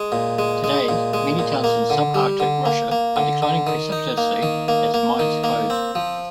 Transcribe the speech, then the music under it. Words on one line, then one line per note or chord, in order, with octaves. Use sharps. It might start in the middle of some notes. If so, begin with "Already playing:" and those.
Today, many towns in subarctic Russia are declining precipitously as mines close.
Already playing: G#3
A#2
G#3
G#3
A#2
G#3
A#2
A#3
D3
G3
D3
A#3
A#3
D3
D3
D#3
D#4
A#3
D#3
A#3
A#3
D#3
A#3
C4
F3